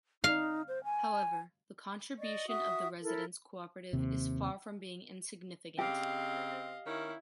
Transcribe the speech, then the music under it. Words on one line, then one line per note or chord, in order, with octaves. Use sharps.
However, the contribution of the residents cooperative is far from being insignificant.
D#4 F5
C5
G#5
D5 D#5 C#6
F#4 E5 D#6
E4 A4 A#4
D#2 C3
C#3 C4 G4 D#5 F5
D#3 C#4 E4 A#4